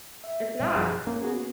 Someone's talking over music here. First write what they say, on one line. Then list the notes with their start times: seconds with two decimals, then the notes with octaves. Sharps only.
It's not,
0.24 E5
0.60 B2 G3
0.76 F#2 F3 G#4
1.07 A#3 C#4
1.22 B3 F#4 G#4